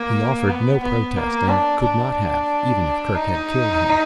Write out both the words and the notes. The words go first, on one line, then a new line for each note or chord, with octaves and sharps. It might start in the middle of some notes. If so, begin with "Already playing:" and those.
He offered no protest and could not have even if Kerk had killed him.
Already playing: A#3
B3
B3
A#3
D4
D4
D#4